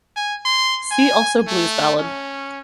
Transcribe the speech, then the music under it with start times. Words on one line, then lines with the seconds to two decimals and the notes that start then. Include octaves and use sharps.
See also blues ballad.
0.16 G#5
0.46 C6
0.92 G#5
1.48 A3
1.99 C#4